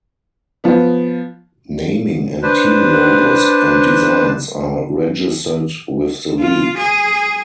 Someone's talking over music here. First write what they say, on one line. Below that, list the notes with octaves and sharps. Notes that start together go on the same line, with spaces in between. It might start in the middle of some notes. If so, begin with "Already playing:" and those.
Naming and team logos and designs are registered with the league.
F3 B3
D4 B4 C5
F4
G#4